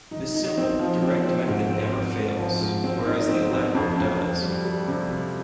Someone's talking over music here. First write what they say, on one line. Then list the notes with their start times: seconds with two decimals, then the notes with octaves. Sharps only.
The simple, direct method never fails, whereas the elaborate does.
0.11 D#4
0.35 D#4
0.58 C4
0.79 F3
1.02 C4
1.25 C4
1.47 G#2
1.70 C4
1.92 C4
2.16 G#2
2.39 F3
2.61 G#2
2.84 C4
3.06 D#4
3.28 C4
3.51 C4
3.75 F2
3.96 F2
4.19 F2
4.42 G3
4.65 G3
4.88 C3
5.10 G3